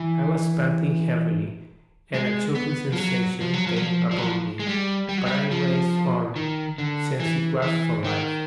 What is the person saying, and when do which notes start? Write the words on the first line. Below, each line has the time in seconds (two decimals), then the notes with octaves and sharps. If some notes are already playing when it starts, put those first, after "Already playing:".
I was panting heavily, and a choking sensation came upon me, but I raced on, since it was for life.
Already playing: E3
2.14 G#3
2.55 B3
2.92 F3
2.98 F#3
3.41 F3
3.53 F#3
3.67 F3
3.76 F#3
3.83 F3
4.11 F3
4.18 F#3
4.27 F3
4.59 G#3
4.67 G3
5.09 G3
5.18 F#3
5.26 G3
5.51 F3
6.36 D#3
6.78 D3
7.20 E3
7.62 E3
8.04 D#3